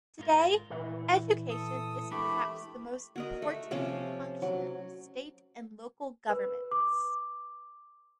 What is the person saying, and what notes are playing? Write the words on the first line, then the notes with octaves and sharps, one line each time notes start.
Today, education is perhaps the most important function of state and local governments.
G#2 F4 A#4
A#2 E3 A3
A4 D#6
G#3 A3 D4 G4 A#4 B5
F#4 A#4 D#5
A3
C3 F3 C#4
F#3
B4
D6